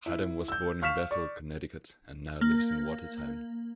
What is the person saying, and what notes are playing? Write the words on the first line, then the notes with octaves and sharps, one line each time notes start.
Haddam was born in Bethel, Connecticut and now lives in Watertown.
E4
E6 G6
F5 C#6 F6 B6 E7
D5 C#6
A#3